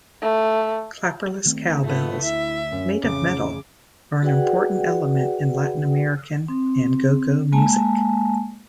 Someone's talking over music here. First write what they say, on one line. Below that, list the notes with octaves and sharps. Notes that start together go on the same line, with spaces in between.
"Clapperless cowbells" made of metal are an important element in Latin-American and go-go music.
A3
E2 D#3 A3 C4
G#2 A3 B3 F4
D2 E4 E5
F#2 C#4
A1 F2 C#3 D6
F#4 G#4 B4 D5 F#5 G5
C4
G#3 A#3 G#5 A5